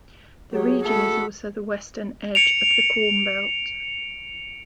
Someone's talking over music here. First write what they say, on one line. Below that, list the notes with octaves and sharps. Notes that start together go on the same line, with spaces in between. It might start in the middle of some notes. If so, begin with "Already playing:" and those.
The region is also the western edge of the Corn Belt.
F#3 G4 G#4 C#5
A3 F#4 A4 B5
C#7 D7 F7